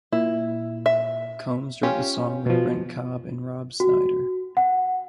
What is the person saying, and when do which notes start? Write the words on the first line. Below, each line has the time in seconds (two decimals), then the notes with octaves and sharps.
Combs wrote the song with Brent Cobb and Rob Snyder.
0.12 A#2 E4
0.86 E5
1.83 C#4 F4 G4
2.46 B2 F3
3.80 F#4
4.57 F#5